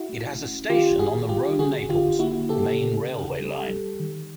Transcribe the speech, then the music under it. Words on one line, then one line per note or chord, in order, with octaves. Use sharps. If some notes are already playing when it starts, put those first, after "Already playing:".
It has a station on the Rome-Naples main railway line.
Already playing: E4 F#4
A3
C#4
D#3 F4 G4
D#3 F#4 G#4
G3 F4 G4
D3 F#4 G#4
D3 F4 G4
A#3 E4 F#4
C#3 G4 A4
C#3
C#3
G3
G3
D#3